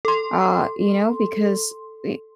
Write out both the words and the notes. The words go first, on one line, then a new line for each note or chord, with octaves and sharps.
uh, you know, because eh
A4 C6